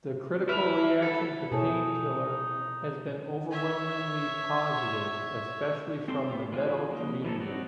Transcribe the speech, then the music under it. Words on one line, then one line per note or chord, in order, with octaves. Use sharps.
The critical reaction to Painkiller has been overwhelmingly positive, especially from the metal community.
D4 E4 B4 F6 F7
E5
B3 E4 A4
B2 D#4 E4 G#4 A4 C#5
C#5 E5
C4 G4 A4 A5 C6
B3 G4
E3 F4 F#4 G#4
F3 A#3 D#4
E3 F3 A#3 A4
C4 D#4 F#4 C#5 D5